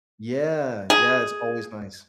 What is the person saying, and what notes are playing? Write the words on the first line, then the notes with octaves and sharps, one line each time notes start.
Yeah, yeah it's always nice.
G#4